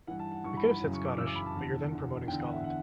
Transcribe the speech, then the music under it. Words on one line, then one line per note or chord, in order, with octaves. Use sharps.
We could have said Scottish but you're then promoting Scotland.
G2 E3 F#5
A5
F#5
G2 E3 C#6
B5
B5
F#2 C#3 E3
C#6
D6
F#2 C#3 E3 E6
D6
B5
A5
E2 D3
E2 D3
E2 D3 G5
F#5
E5
D3 F#5